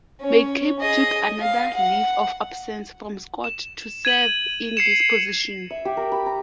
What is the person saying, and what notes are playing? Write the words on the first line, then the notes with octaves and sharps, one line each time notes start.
McCabe took another leave of absence from Scott to serve in this position.
C#4 C#5
G#4 D#5
F5
F#5
E7
G#6 D#7 F#7
C7 C#7 E7
E5
G4
A#4
B5
A#5